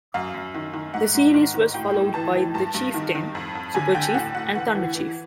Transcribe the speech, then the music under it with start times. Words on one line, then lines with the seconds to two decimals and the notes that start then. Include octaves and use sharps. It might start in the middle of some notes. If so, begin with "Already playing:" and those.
This series was followed by the Chieftain, Superchief, and Thunderchief.
0.14 F#2 F5
0.34 F#2
0.55 D#3
0.74 D#3
0.94 G#2 F#5
1.15 G#2
1.34 D#3
1.54 D#3
1.74 A2 G5
1.94 A2
2.14 E3 A5
2.35 E3
2.54 G2 A5
2.74 G2
2.94 D#3
3.15 D#3
3.35 F2
3.55 F2
3.74 D3 G#5
3.94 D3 G5
4.14 A2 F#5
4.35 A2 F#5
4.55 E3 F#5
4.75 E3
4.95 E3